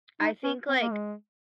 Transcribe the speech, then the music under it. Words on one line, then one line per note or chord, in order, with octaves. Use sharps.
I think, like,
D#4
C#4
C4
A#3
G#3